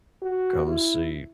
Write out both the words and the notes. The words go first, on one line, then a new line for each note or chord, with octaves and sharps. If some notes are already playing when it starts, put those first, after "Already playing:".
come see
F#4
E4